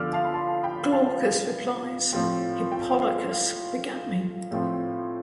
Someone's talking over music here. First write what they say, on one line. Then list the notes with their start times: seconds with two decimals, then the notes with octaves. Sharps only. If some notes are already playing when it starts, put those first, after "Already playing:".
Glaucus replies: Hippolochus begat me.
Already playing: D3 F3 B3 D4 D6 E6 F6
0.13 F5 A5
0.25 B5
0.34 A5 C6
0.63 G5 B5
0.92 F5 A5
2.13 A2 F3 C4
2.72 G5
3.02 F5
3.31 F5
4.51 A2 F3 C4